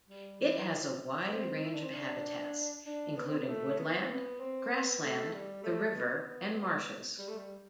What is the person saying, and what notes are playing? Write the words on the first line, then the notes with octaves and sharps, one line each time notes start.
It has a wide range of habitats, including woodland, grassland, the river and marshes.
G3
E3
F3
B3
C4
E4
D4
C4
D4
D4
B3
C4
B3
A3
B3
C4
B3
C4
B3
A3
G3
A3
B3
G3
A3
G3